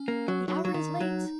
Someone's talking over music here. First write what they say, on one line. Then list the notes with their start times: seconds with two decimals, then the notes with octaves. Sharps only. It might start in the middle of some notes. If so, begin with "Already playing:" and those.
"The hour is late!"
Already playing: C#4
0.08 A#3
0.28 F#3
0.48 F#3 D#4
0.59 F#4
0.65 F#3 D#4
0.74 D#3
1.00 F#3